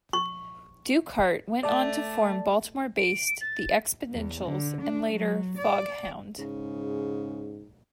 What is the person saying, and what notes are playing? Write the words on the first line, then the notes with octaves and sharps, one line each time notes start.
Dukehart went on to form Baltimore-based The Expotentials and later Foghound.
C#6
A3 D5 A5
D7
A6
E2
D3
D4
F#3
D5
G#2 C#3